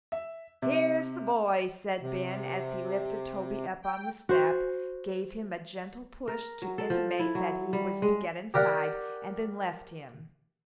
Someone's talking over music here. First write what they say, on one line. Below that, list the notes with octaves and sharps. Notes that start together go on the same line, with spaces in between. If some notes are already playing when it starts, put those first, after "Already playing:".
"Here's the boy," said Ben, as he lifted Toby up on the step, gave him a gentle push to intimate that he was to get inside, and then left him.
E5
C3
C3
G5
F#4 C5
A#4
F#3
A4
F3
E4
F#3
G3
G#3
G4 A#4 D5 F#5